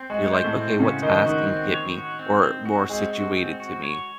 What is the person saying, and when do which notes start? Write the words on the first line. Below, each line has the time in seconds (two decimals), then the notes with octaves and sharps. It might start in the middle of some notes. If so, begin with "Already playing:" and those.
you're like, "Okay. What task can get me, or more situated to me
Already playing: C4
0.10 G#3 F#4
0.33 C5
0.44 A2 A3
0.56 C4
0.79 C#3 C#4 F#4
1.02 D#3 D#4 C5
1.26 D#3 D#4 F#4
1.50 C4
1.73 C#5
1.96 F#4
2.19 C4
2.43 C4
2.65 F#4
2.89 G#3 C4 G#4
3.13 F#4
3.35 C4
3.60 F#4
3.83 C#5